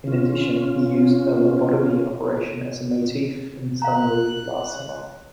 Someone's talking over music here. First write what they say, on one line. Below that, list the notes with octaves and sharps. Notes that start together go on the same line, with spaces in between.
In addition, he used a lobotomy operation as a motif in "Suddenly, Last Summer".
C#4 F4
F5 A#5 F#6